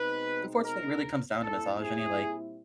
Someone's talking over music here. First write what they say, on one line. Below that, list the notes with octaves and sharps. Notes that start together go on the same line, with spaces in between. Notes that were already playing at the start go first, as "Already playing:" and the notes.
unfortunately really comes down to misogyny. Like,
Already playing: B2 G#3 C4 D#4 B4
A#4
A#2 G3 C4 E4 A4
G#4